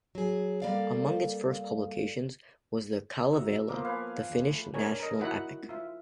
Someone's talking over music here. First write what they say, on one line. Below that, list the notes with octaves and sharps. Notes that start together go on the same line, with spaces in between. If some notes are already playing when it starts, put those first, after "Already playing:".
Among its first publications was the "Kalevala", the Finnish national epic.
F#3 G#4
G3 A#3 A4 D5 F5
F#4 E5 A#5
F3 A#3 B3 A#4 D6
B4 F5 G#5
D#2
A3
D4 A#4 C#5 G#5
A#4 D#5
D#4 E4 F#4 F#5 B5
F4 E5